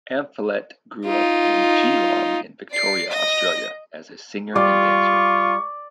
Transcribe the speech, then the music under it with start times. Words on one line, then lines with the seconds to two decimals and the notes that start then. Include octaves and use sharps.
Amphlett grew up in Geelong in Victoria, Australia, as a singer and dancer.
1.06 D#4 F4
2.72 D5 C7
3.10 D#5 A#6
4.56 G3 F4 D5 C#6